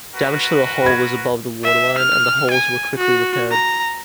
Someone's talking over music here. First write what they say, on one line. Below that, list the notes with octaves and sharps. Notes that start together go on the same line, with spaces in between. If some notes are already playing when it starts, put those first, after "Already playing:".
Damage to the hull was above the waterline and the holes were quickly repaired.
F#4 A#4 B4
B5 G#6
E5
F6
G#5
F#4
A#5